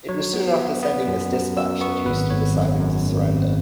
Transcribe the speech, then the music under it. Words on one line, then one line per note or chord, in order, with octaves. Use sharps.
It was soon after sending this dispatch that Heuston decided to surrender.
F#3 C#5
B3
B3
B3
F#2
F#2
F#2 E6
B3 C#6
G#1 B4
G#1 C#5
F#2
F#2
G#1
G#1